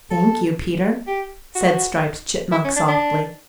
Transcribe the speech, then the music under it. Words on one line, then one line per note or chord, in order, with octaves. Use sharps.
"Thank you, Peter," said Striped Chipmunk softly.
A4
G4
F#4
E4
C#4
D4
D4